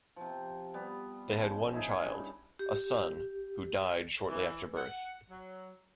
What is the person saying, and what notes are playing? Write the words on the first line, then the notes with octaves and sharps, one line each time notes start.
They had one child, a son, who died shortly after birth.
C3 F3
G3 B3
C#3 F3
D#4 E4 G#4 A4
G2 C#3 G3
G4
E3
F#5
F#3